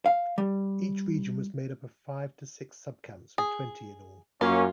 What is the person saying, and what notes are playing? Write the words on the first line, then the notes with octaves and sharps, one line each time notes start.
Each region was made up of five to six subcamps, with twenty in all.
F5
G3
G#4
F#2 A#3 C#4 F4